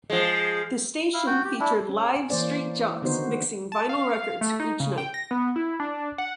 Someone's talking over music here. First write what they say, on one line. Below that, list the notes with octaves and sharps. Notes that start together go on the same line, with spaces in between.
The station featured live street jocks mixing vinyl records each night.
F3 G#3
E4 F5
F#4 G5
G4
D4 E4
C#4
E3 A#3 C5 D5
D3 D#3 B3 D#4 F#4 C5
A5
F5
A3
D#4
C#3
G5
A#6
B3
E4
D4
F#5